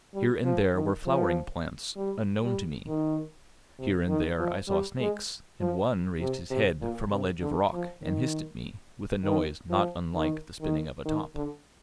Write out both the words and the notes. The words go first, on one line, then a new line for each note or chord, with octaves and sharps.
Here and there were flowering plants, unknown to me; here and there I saw snakes, and one raised his head from a ledge of rock and hissed at me with a noise not unlike the spinning of a top.
G3
F3
D#3
F3
G3
G3
D#3
C3
D#3
F3
G3
G#3
F3
C3
C3
A#2
C3
D3
F3
D#3
D#3
F3
D#3
D#3
D#3
D3